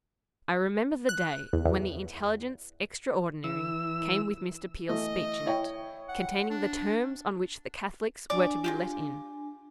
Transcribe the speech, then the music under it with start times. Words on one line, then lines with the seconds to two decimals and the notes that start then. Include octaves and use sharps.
I remember the day when the Intelligence Extraordinary came with Mr. Peel's speech in it, containing the terms on which the Catholics were to be let in!
1.09 F#6
1.53 E2
1.65 E2
3.44 E3 E6
4.89 E3 A3 D#5
5.46 E4 C#5 G5
6.09 F#5
6.50 D4
8.30 D4 D5 G#5
8.64 G#3 F4 G4